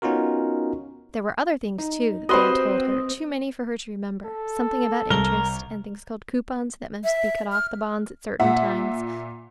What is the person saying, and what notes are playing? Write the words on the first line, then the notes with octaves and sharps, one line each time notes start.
There were other things, too, that they had told her--too many for her to remember--something about interest, and things called coupons that must be cut off the bonds at certain times.
B3 C#4 D#4 F4 F#4 A#4
D#4
C4 F#4 G4 B4 C5 D#5 C6
A4
C2 A#4 G7
E5
F6
A#2 E5 F#5